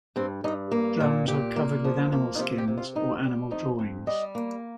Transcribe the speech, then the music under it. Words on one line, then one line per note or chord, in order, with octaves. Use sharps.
Drums are covered with animal skins or animal drawings.
G2 C4
G2 D#4
A#3
A#2
A#2 G4
A#3
F3
A#3
D#4
C3 F4
G4
C3
F4
D#3 D#4
G3
F2 D#4
F2
G3 D#5
A#3